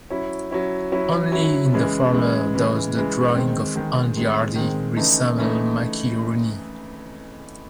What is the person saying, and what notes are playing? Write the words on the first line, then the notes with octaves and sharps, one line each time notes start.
Only in the former does the drawing of Andy Hardy resemble Mickey Rooney.
F#3 C#4 E4
F#3 C#4 E4
F#3 C#4 E4
F#3 C#4 E4
C#3 E3 G#3
C#3 E3 G#3
C#3 E3 G#3
C#3 E3 G#3
D#3 G#3 C4
D#3 G#3 C4
D#3 G#3 C4
D#3 G#3 C4
C#3 E3 A3 D#4
C#3 E3 A3 D#4